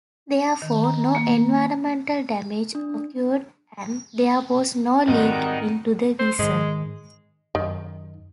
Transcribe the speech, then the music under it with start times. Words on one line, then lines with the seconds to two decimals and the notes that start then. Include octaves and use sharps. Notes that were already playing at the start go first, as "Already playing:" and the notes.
Therefore, no environmental damage occurred and there was no leak into the vessel.
0.62 D#3
0.84 A#5
1.15 A#3
2.75 D4
5.08 G#1 D#3 G3 D#4 F#5
6.19 C5
6.39 G#2 D#3 G#3
7.55 F#2 D#3